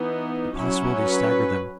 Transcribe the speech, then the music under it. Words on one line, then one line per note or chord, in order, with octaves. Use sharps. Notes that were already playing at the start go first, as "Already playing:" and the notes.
The possibility staggered them.
Already playing: E3 B3 D#4
F#3 C#4 E4
B4